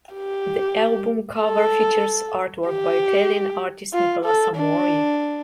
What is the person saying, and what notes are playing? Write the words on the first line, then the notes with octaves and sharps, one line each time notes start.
The album cover features artwork by Italian artist Nicola Samori.
G4
A4
G4
F4
A4
D4